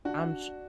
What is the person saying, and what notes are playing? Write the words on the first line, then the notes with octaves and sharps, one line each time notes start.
I'm tr
D4 F#4
F#4